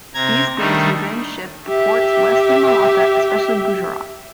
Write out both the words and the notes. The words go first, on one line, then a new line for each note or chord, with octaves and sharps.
These goods were then shipped to ports west of Malacca especially Gujarat.
C3 A#5 G#6
D#3 G3 A3 D4 D#4
G4 E5